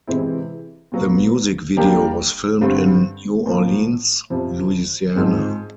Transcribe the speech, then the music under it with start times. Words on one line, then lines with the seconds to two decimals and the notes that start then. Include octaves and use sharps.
The music video was filmed in New Orleans, Louisiana.
0.07 C3 E3 G#3 C4 E4
0.92 A#2 F#3 B3
1.76 G3 A#3 D4 G4 A#4
2.61 G2 D3 G3 C4
3.46 A2 F3 A#3
4.30 F2 C3 F3
5.16 G#2 F3 G#3 C4